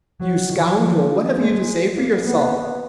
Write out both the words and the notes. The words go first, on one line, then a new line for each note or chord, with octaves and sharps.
You scoundrel, what have you to say for yourself?
F#3
D#3
F3
G#3
A#3
B3